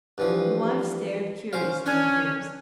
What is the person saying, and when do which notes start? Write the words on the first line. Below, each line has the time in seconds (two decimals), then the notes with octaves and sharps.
The wife stared curiously at Bibbs.
0.18 G2 E3 F3
1.53 C#4 C5 F5
1.86 C#4 D4